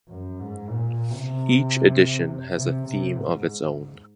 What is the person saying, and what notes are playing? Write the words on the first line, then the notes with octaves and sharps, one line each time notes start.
Each edition has a theme of its own.
F#2
G#2
A#2
C3
C3
C3
G#2